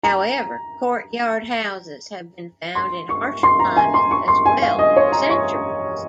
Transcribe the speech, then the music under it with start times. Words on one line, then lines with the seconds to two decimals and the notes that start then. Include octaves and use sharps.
However, courtyard houses have been found in harsher climates as well for centuries.
0.03 A#5
2.75 C6
3.09 C#6
3.43 C6
3.59 A#5
3.77 G#5
3.94 C6
4.11 C#6
4.28 C6
4.45 G#5
4.62 F5
4.79 D#5
4.96 C#5
5.12 A#5
5.29 C#6